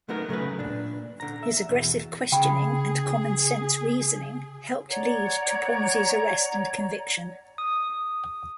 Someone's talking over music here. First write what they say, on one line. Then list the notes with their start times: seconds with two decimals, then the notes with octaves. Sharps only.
His aggressive questioning and common-sense reasoning helped lead to Ponzi's arrest and conviction.
0.09 F#3 A3 B3 D#4 A#4
0.29 C#3 F#3 A3 G#4 B4
0.59 A#2 D4
1.20 D3 A#5
1.43 E5
1.69 E2 B2
2.32 C#3 G#4 G5 B5
4.89 C#5 D5 F#5 A#5
7.58 D#6